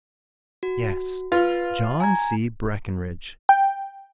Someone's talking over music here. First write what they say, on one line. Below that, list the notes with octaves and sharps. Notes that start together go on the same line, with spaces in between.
"Yes, John C. Breckinridge."
F#4
F4 B4 F5
G#5 A#5 G#6
G5